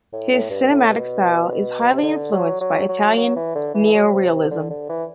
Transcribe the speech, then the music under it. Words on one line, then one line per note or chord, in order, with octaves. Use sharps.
His cinematic style is highly influenced by Italian neorealism.
A2
A2
G2
A2
B2
C3
D3
F#3
F#3
F#3
F#3
E3
D3
E3
F#3
C3
C3
D3
D3
E3